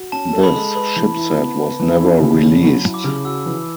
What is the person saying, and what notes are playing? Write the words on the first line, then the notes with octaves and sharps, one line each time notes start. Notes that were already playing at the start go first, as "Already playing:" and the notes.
This chipset was never released.
Already playing: F#4
C#4 A5
A5
A4
B5
G#3
B4 B5
E3
E4
B3
B4
E3
E4
C#3
C#4
F#3 B5
E4
D6
C#3
F#4 E6
E3